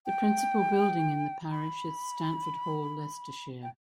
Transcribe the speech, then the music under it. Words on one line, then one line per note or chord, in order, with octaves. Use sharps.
The principal building in the parish is Stanford Hall, Leicestershire.
G5
B5
G5